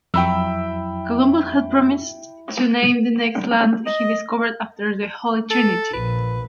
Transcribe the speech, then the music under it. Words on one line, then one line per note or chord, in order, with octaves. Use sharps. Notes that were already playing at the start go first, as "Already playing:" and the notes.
Columbus had promised to name the next land he discovered after the "Holy Trinity".
F2 F#3 E4 G5 B5 E6
D#5
A4
A#1 B4